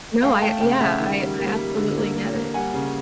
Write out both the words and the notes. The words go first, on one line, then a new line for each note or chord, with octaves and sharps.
No, I a yeah, I I absolutely get it.
A3 F5 G5
A3 G5 A5
C#3 F5 G5
C#3 E5 F#5
D#3
G3
A#3
G3
D3
A#3
A#3
A#3
G3 F#5 G#5
C#3